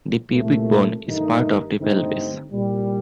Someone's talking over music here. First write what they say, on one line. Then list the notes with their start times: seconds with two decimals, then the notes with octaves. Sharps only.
The pubic bone is part of the pelvis.
0.33 C2 A#2 A3
1.06 G2 D#3 A3 D#4
1.79 G2 D3 A3 C4 D#4
2.51 C2 A#2 G3